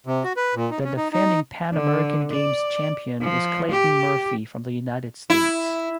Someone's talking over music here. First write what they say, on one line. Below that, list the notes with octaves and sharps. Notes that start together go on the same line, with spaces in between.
The defending Pan American Games champion is Clayton Murphy from the United States.
C3
F#4
B4
A#2
D#4
C#4
D#4
D#4
D3
D5
F3
G4
E4